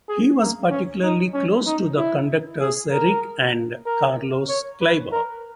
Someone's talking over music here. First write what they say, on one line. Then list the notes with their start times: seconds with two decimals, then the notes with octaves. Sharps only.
He was particularly close to the conductors Erich and Carlos Kleiber.
0.09 G#4
0.40 A#3
0.70 C#4
1.03 D#4
1.34 C#4
1.66 D#4
1.97 E4
2.61 G#4
2.91 A#4
3.86 A#4
4.49 C#5
4.81 B4
5.12 A#4